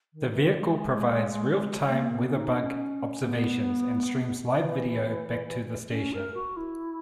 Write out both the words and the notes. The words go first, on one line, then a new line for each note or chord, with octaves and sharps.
The vehicle provides real-time WeatherBug observations and streams live video back to the station.
D#3
E3
G#3
G#3
A#3
B3
D#4
C#4
B3
E3
C#4
A#4
F#4
E4